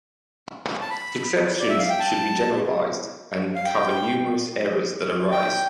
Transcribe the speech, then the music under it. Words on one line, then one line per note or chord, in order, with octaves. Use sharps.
Exceptions should be generalized and cover numerous errors that arise.
A5
B5
D5
E5
F5
G5
A5
F5
G5
G5